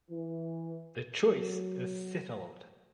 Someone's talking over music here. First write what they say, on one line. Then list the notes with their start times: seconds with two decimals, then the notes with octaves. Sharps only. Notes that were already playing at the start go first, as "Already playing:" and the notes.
The choice is settled.
0.11 E3
1.24 F#3